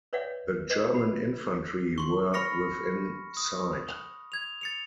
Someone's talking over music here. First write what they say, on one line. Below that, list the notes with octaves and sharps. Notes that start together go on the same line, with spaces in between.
The German infantry were within sight.
B4 C#5 D5 E5 F#5
B4 D#5
F#4 B4 B5
C6 C#6
B5 C#6 F6 A#6 C#7
D#6
G#6 F7
A6 C#7 F7